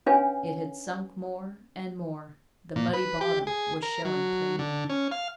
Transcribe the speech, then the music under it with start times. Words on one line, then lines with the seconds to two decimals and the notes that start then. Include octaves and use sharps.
It had sunk more and more--the muddy bottom was showing plainly.
0.06 C#4 D4 B4 C#5 F5 G#5
2.76 A#2
2.93 B4
3.21 G4
3.47 G#4
3.83 A#4
4.05 F#3
4.59 D3
4.89 C#4
5.11 F5